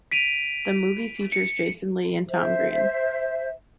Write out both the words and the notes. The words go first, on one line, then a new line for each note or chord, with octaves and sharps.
The movie features Jason Lee and Tom Green.
B6 D7 D#7 F7
C#7
C5 E5